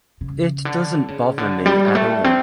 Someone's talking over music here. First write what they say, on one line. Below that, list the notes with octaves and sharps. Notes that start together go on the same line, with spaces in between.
It doesn’t bother me at all.
C#3
D3
C#3
D3
G3
A3
C4